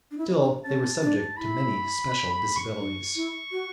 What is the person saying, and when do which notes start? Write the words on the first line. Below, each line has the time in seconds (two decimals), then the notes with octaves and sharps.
Still they were subject to many special disabilities.
0.11 D4
0.18 E4
0.41 D4
0.65 C#4 A5
1.01 D4
1.37 E4 B5
2.09 B5
2.32 B5
2.56 C#6
2.80 D4
3.15 E4
3.51 F#4